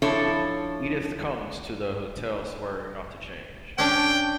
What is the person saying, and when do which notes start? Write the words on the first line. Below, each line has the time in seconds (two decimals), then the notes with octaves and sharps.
Edith comes to the hotel swearing not to change.
0.02 F3 D4 E4 A4 C#5
3.78 C#4 D4 C#5 G5